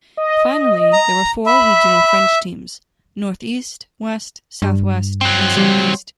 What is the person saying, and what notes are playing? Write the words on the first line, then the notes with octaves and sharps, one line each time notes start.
Finally, there were four regional French teams: North-East, West, South-West and South-East.
D#5
A#5
E5 B5
G2
F#3 C4
G3